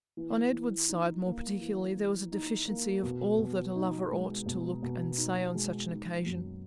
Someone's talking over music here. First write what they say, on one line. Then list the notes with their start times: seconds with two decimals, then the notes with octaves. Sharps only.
On Edward's side, more particularly, there was a deficiency of all that a lover ought to look and say on such an occasion.
0.17 E3
0.52 E3
0.88 D#4
1.25 A#3
1.61 E3
1.95 E3
2.32 D#4
2.68 A#3
3.03 B2
3.39 B2
3.76 D#4
4.11 G#3
4.46 B2
4.82 B2
5.18 D#4
5.55 G#3
5.90 D#4
6.26 F#2